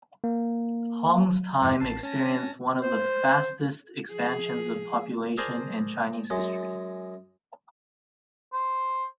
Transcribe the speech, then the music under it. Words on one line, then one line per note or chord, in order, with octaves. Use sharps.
Hong's time experienced one of the fastest expansions of population in Chinese history.
A#3
F2 G#2 E3
A1 A5 C7
C#4 A5 A#6
C5
F3 G#4
D4 G#4 A#4 C5
F#2 G#3
C5